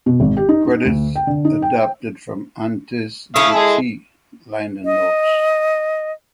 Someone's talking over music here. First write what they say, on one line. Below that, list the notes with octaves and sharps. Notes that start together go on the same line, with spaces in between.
Credits adapted from "Antes de Ti" liner notes.
B2
G#1
G4
D#4
D#4
D2
G5
D3
D#4
G5
E4 A4 F5 C#6 D#6
G#3 G#4
D#5